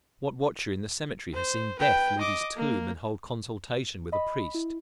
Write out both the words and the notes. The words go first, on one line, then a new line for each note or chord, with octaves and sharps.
What watcher in the cemetery has seen Death leave his tomb and hold consultation with a priest?
C5
B4 G5
D#5 D6
A#3
D#5 B5
E4